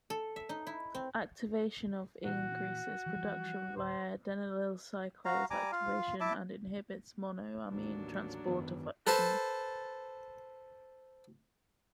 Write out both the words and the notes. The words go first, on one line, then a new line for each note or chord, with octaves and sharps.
Activation of increases production via adenylyl cyclase activation and inhibits monoamine transporter function.
A4
E5
D#4
E4
C4
A#2 E3 F#4
E3 F3 G3
D1 C5
F#4 F5 A#5
G3 G#5 A#5 D6
F4 F5
E4 E5 A5 D6
A1 D#2 F#3 D4
G#1 F#2 D#3 B3
A4 B4 C5 A5